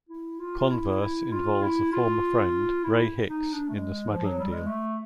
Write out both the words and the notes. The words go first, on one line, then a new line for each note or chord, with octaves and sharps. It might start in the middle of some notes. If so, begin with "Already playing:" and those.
Converse involves a former friend, Ray Hicks, in the smuggling deal.
E4
F4
F4
E4
E4
F4
E4
F4
E4
D#4
D4
A3
G#3
F3
F#3
G3
G#3
A3